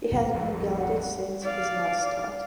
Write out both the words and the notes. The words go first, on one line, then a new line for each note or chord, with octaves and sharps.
He has been gelded since his last start.
A1 F2
F#5
D5 F5